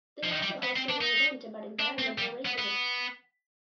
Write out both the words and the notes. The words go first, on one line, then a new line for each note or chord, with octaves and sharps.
They also hosted an event about environmental racism.
F3
D#3
G3
B3
C4
D4
D#4
D4
C4
G3
B3
B3